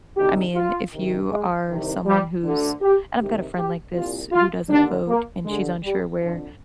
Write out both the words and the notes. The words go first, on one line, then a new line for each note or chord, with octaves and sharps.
I mean, if you are someone who's and I've got a friend like this who doesn't vote, and she's unsure where
D2 C3 D#3 G4
F4
C2 C3 D#3
G#3
C2 C3 D#3
G3
D2 D3
G4
D2 C3 D#3 G4
G4
C2 A#2 F4
F4
D#2 D3 D4
A#3
G2 D3 G#3
G3
F2 D3 F3